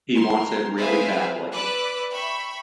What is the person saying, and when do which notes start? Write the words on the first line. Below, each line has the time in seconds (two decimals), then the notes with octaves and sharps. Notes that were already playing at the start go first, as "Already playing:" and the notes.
He wants in really badly.
0.15 A#4 C6
0.78 C4 G#4 B4 C5 E5 F5
1.53 B4 D5 D6 E6 F#6
2.13 E5 G5 B5 C#6